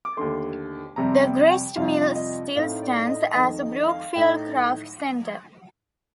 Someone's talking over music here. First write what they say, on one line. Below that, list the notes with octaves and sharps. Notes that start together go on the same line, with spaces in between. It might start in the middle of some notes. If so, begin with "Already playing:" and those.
The grist mill still stands, as the Brookfield Craft Center.
D6
D#2 D3 A3 C6
F2 C3 G3 C4 A#5
G5
G5
F2 C3 G3 C4 F4 F5
D#5
A2 A3 C4 D#4 F5
D5
D#5
F2 D#3 A3 D#5
D#5
D#5
F5
A2 A3 D#4 G5